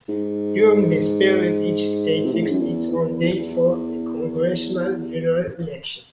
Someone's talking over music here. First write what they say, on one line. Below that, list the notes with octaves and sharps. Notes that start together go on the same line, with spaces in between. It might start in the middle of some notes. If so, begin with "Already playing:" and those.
During this period, each state fixed its own date for a congressional general election.
G#2
C3
A2
G#2
F#2
E2
E2
E2
E2